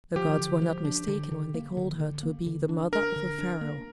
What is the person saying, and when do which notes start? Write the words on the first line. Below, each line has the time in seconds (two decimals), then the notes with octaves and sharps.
The gods were not mistaken when they called her to be the mother of a pharaoh.
0.16 F3 G4
0.39 D3
0.62 F3
0.85 D4
1.08 D3
1.31 D3
1.54 A#3
1.77 D3
2.00 D3
2.23 A#3
2.46 D3
2.69 D4
2.92 D4 A#4
3.16 D3
3.38 D4
3.61 A#3